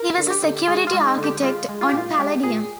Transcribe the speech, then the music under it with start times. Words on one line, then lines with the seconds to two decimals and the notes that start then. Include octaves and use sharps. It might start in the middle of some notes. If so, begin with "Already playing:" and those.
He was a security architect on Palladium.
Already playing: A#4
0.18 D3
0.30 G4
0.42 D3
0.68 G#3 G#4
0.87 F4
0.93 G#3
1.05 D#4
1.18 D3
1.24 G4
1.42 G#3 F4
1.69 G#3
1.81 F4
1.89 G4
1.93 A#2 F4
2.18 G#3 G4
2.43 A#2 G#4